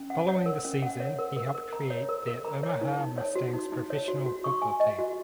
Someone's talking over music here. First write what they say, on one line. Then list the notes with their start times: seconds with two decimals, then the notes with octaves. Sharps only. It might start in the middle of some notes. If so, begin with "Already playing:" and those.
Following the season he helped create the Omaha Mustangs professional football team.
Already playing: C#4
0.10 F#5
0.28 C#5
0.46 A#4
0.65 C#4
0.82 F#5
1.00 C#5
1.19 A#4
1.36 A#4
1.55 A#4
1.73 A#5
1.90 C#5
2.09 A#4
2.27 A#4
2.45 A#5
2.63 C#5
2.81 D#4
2.99 D#4
3.18 C#5
3.36 F#4
3.54 D#4
3.72 D#4
3.90 C#5
4.08 F#4
4.26 F#4
4.44 C#6
4.62 G#5
4.80 D#5
4.99 F#4